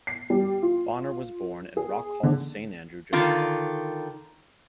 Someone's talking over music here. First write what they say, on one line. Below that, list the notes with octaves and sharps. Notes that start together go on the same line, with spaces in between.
Bonner was born in Rock Hall, Saint Andrew, Jamaica.
C7
G3
F4
G#4
D3
D3 D#3 F4